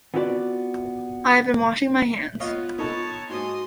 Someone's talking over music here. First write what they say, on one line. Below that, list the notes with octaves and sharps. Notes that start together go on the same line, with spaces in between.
I have been washing my hands.
B3 C4 F4 F#4 B4 D5
B3 F4 C#5 D#5 F5
B3 D#4 A4 C#5 A5
G#2 F#4 G#5 C6 D#6